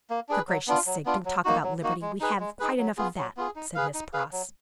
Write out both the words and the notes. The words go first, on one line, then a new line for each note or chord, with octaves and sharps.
"For gracious sake, don't talk about Liberty; we have quite enough of that," said Miss Pross.
A#3
D4 G#4 B4
F#3
B3 D4 F4
F#3
B3 D4 F4
F#3
A#3 D#4 F#4
F#3
A#3 D#4 F#4
G#3
D#4 G#4 B4
G#3
D#4 G#4 B4
F#3
B3 F4 G#4
F#3
B3 F4 G#4
D#4
G#4 B4 F5
D#4
G#4 B4 F5
F#3